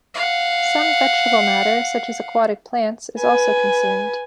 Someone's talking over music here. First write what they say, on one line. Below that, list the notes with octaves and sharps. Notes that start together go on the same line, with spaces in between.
Some vegetable matter such as aquatic plants is also consumed.
F5 F#5
B4 G#5